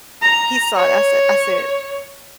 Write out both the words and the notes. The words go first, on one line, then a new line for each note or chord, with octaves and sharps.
he saw it, I said I said
A#5
C#5